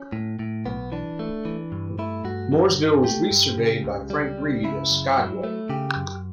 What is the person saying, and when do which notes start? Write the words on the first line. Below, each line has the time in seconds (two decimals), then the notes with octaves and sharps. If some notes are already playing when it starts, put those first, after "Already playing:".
Mooresville was resurveyed by Frank Reid as Skaguay.
Already playing: C#4
0.12 A2
0.39 A2
0.66 B1 B3
0.92 E3 D4
1.19 A3
1.45 E3
1.72 G2
1.99 A3 E4
2.25 G2 F#4
2.52 F#3
2.78 G2
3.04 A3 G4
3.31 G2
3.58 C#3
3.84 C#2
4.10 G3
4.38 C#2
4.64 C#3 E4
4.90 F#2
5.17 F#3
5.44 A3
5.69 C#3 G4
5.96 F#2